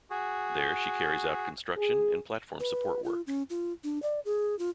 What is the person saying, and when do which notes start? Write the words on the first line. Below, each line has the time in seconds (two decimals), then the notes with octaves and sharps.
There she carries out construction and platform support work.
0.10 F#4 G#4
1.77 G#4
2.60 B4
3.04 F4
3.27 C#4
3.50 F4
3.84 D4
4.02 D5
4.25 G#4
4.59 F4